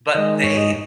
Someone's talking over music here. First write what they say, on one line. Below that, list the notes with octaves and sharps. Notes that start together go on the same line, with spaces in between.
but they
D#3 G#3 D#5
G#2 C#5
D#5